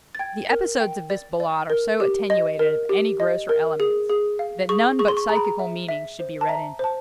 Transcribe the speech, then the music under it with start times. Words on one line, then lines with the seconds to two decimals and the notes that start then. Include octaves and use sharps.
The episodes of this Ballade are so attenuated of any grosser elements that none but psychical meanings should be read into them.
0.15 A6
0.19 G5 G#6
0.50 A#4
0.80 G5
1.10 D5
1.40 D5
1.70 A#4
2.00 G4
2.30 D#5
2.59 A#4
2.89 G4
3.20 D#5
3.49 A#4
3.80 G#4
4.10 G#4
4.39 F5
4.69 G#4 C#6
4.99 G#4 C#6
5.08 C6
5.17 C#6
5.29 G#4 A#5
5.36 B5
5.45 A#5
5.59 E5
5.89 E5
6.20 C5
6.41 A5
6.49 E5 A#5
6.79 C5 A5